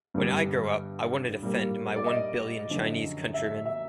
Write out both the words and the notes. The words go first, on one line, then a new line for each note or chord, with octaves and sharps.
When I grow up, I want to defend my one billion Chinese countrymen!
G2 D3 G3 B3
A#2 G3 A#3
D5
D#5
F#2 D3 F3
E5
E5